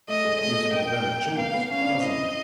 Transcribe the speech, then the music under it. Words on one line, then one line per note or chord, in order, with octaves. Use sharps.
"It gives me a better chance--doesn't it?"
A3 D#5
G#3
A3 D#5
A#3 G5
A#3
B3 F5
B3
C#4 F5
D4
C4
E4 D#5